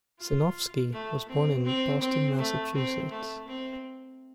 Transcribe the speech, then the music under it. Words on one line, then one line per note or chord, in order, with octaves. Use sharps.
Sinofsky was born in Boston, Massachusetts.
F4
A3
C4
C4
C4
A3
C4
A3
C4